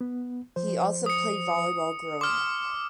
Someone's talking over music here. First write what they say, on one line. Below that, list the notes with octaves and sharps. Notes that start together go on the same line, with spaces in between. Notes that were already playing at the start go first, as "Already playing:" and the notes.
He also played volleyball growing up.
B3
F3 C5
D#6 C#7
C6 D6 F6